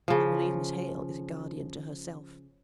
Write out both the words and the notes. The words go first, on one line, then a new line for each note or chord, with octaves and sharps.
I believe Miss Hale is a guardian to herself.'
C#3 F3